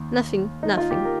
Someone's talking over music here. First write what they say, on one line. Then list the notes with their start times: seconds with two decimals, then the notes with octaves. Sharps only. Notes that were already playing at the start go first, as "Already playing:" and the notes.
"Nothing, nothing."
Already playing: D#2 D#3
0.63 D#4
0.77 F4
0.91 G4
1.05 A#4